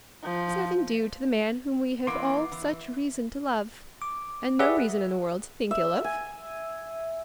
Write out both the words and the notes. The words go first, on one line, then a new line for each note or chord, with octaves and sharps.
Is nothing due to the man whom we have all such reason to love, and no reason in the world to think ill of?
F3
E3 A#3 B3 C6 D6
E3
D6
G4 G#4 B4 D5 E5 F#5
E5
G#5